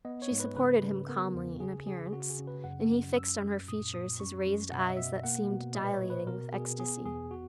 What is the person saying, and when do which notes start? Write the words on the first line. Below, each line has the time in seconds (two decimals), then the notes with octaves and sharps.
She supported him calmly, in appearance; and he fixed on her features his raised eyes that seemed dilating with ecstasy.
0.05 B3 D#5
0.22 C#5
0.31 G#2
0.40 B4
0.57 C#3 B4
0.83 C#3
1.08 B3 A#4
1.34 E2
1.60 C#3 G#4
1.86 C#3 G#4
2.12 C#3 F#4
2.30 G#4
2.39 C#3
2.47 B4
2.64 F#2 F#5
2.91 F#2
3.16 F#2 E6
3.42 F#2
3.68 A#2 D#6
3.94 A#2 D#6
4.20 F#2 C#6
4.45 F#2
4.72 B2 F#5
4.80 E5
4.88 D#5
4.97 B2 E5
5.23 A#3 F#5
5.50 B2
5.75 A#2 D#5
5.84 B4
5.93 C#5
6.02 A#2
6.10 B4
6.27 B2 A#4
6.53 B2 G#4
6.79 B3 G#4
7.05 E2 G#4
7.31 F#4